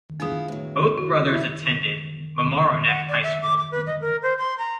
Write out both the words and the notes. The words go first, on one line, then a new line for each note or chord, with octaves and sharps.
Both brothers attended Mamaroneck High School.
B3 D4 E4 F4 G#4
A2 F#3
F#4
E4
F#5
D5
E5
D6
D6
B4
D#5
A#4
C5
C6
A#5